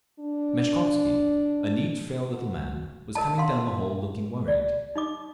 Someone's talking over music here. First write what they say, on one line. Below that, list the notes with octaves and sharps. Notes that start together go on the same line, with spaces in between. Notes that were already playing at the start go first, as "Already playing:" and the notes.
Meshkovsky, a neat, frail little man, was coming down the hall, looking worried.
D4
F#4
A#4 D#5 A5
F5 F#5 C6
D5
D#4 D#5 D6